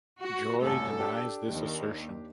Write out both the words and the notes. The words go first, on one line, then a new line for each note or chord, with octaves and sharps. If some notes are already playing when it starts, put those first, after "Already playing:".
Joy denies this assertion.
F#4
C2 F#2 A2 A4
D4 G4
D#2